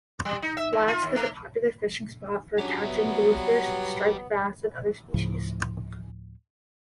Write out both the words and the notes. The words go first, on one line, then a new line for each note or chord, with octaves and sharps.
Wasque is a popular fishing spot for catching bluefish, striped bass, and other species.
G3
D#4
E5
A#2
F4
D#2
A3
F#3 C#4 D4 G4 G#4
G3 B3 E5
D2 A2 C#3 F3